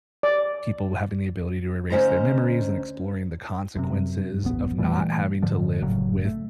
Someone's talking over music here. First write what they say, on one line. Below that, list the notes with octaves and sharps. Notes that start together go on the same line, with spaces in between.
people having the ability to erase their memories and exploring the consequences of not having to live with
D5
D2 C#4 C5 D#5 A#5
F#2 C3
D#1 A1 B3
A#2 E3 G3 A3
G#2 D3 F3
F#1 A2 C#3 F#3
A3